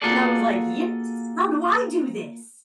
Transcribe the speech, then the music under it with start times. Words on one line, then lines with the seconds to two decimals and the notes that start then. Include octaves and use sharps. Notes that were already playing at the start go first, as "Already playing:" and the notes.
And I was, like, "Yes! How do I do this?"
0.02 A#3 F4 F#4 G#4 A4 D5